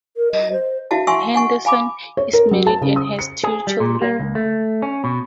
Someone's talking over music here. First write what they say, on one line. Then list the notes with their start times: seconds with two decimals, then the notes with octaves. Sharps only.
Henderson is married and has two children.
0.17 A#4
0.32 D#5
0.52 C5
0.91 E4 F#4 E5 F5 A5
1.07 E5 F#5 G#5 C6 C#6 E6
1.34 F#5 G#5 C#6
1.65 F5 G#5 B5 D6
2.17 C#5
2.33 A#4
2.51 F#3
2.67 A5
2.82 C#3
2.96 D#6
3.19 C#7
3.43 G#4
3.67 G3
3.80 A#2
4.02 A#3
4.20 C#2
4.35 A3
4.82 C#4
5.04 B2